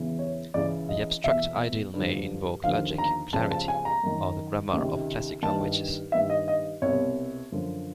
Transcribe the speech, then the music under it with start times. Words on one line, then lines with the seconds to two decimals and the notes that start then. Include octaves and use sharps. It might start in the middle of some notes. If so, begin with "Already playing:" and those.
The abstract ideal may invoke logic, clarity, or the grammar of "classic" languages.
Already playing: E2 C#3 E3
0.19 C#5
0.54 C#2 C#3 E3 D5
0.89 D#5
1.24 E2 B2 E5
1.94 G2 D3 F3
2.64 D#2 D3 F3 F5
2.98 A#5
3.33 C#2 C#3 F3 A5
3.51 A5
3.68 G#5
3.85 A#5
4.03 F#2 D#3
4.73 C#2 C3 D#3
5.42 G2 D#3 A5
6.12 G2 D#3 E5
6.30 D#5
6.48 D#5
6.82 C2 B2 C#5
7.52 F#2 D3 F3